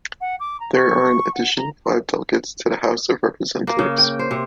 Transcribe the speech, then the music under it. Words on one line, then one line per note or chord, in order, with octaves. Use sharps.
There are an additional five delegates to the House of Representatives.
F#5
D6
A#5
C#6
F#5
A#5
A#3
C#3
G5
C5
C3